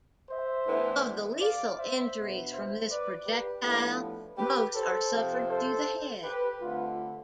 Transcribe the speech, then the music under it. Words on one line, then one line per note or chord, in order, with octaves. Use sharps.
Of the lethal injuries from this projectile, most are suffered to the head.
C5 E5
A2 E3 B3 D4
D5 F5
C5 E5
B2 B3 D4
C5 E5
B4 D5
G4 B4
A2 F3 B3 D4 G4 B4
G4 B4
A4 C5
C3 F3 C4
A4 C5
G4 B4
G2 D3 A3 C4 F4